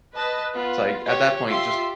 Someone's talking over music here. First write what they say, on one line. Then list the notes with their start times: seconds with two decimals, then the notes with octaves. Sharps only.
It's like, at that point, just
0.16 B4 D#5 A5
0.54 B3 F4
1.06 G4 C#5
1.47 F4 G4 E5 C6